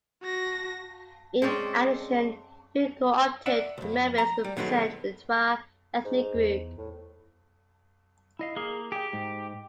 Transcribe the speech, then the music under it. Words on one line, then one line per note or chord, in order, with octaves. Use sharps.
In addition, three co-opted members represent the Twa ethnic group.
F#4 A#6
G#3 C4 C#4 D5
D5 E5 F#5
C2 F2
A#5
G3
B2 D#3 F#3 G#3 A3 B3
G#2
E2
A2
E4 D#5 F5
A#3 G#4
G4 G#4 G5
G#2